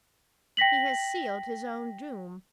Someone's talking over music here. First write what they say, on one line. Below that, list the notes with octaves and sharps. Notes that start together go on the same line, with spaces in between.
He has sealed his own doom.
G5 A#6 B6 F#7